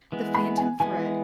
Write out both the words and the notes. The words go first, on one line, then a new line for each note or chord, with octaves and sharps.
The Phantom Thread.
E3 G#3 B3
B5
G#5
E3 G#3 B3 G#5